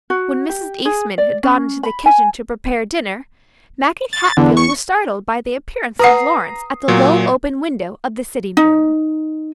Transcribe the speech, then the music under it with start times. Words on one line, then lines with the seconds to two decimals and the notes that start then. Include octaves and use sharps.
When Mrs. Eastman had gone to the kitchen to prepare dinner, Maggie Hatfield was startled by the appearance of Lawrence at the low open window of the sitting-room.
0.10 F#4
0.49 G4
0.85 G#4
1.18 D5
1.43 C#4
1.83 B5
2.06 G#5
4.13 A6
4.37 E2 D3
4.57 C#6
5.99 B4 F#5 A#5 D#6 C7
6.88 A#2 F#3
8.57 D#4